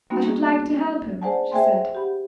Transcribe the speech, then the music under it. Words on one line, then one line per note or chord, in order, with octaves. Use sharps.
'I should like to help him,' she said.
G3 A#3 B3 C#4 D#4 F#4
A#3 C#4 G#4
B3 D4
G#4 C5 D5 F#5 G#5 A5
G#4 C5 E5 G5 G#5 C6
G4 F#5 B5